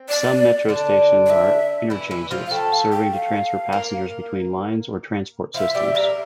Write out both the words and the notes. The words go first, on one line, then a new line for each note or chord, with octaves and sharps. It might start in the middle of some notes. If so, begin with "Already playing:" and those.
Some metro stations are interchanges, serving to transfer passengers between lines or transport systems.
Already playing: C4
D5
D3 D4
D5
E5
E3 E4
E3 E4
F3 F4
F5
A3 A4 G5
F5
G5
F5
A#3 A#4
F3 F4 E5
G3 G4
A#3 A#4